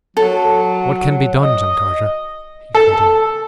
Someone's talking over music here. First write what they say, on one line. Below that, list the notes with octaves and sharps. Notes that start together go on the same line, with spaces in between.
"What can be done, John Carter?" he continued.
F#3 A4
D#5
A4